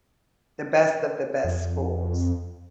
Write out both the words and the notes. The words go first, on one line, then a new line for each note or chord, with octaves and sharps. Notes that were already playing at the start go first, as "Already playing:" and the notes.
The best of the best schools.
F2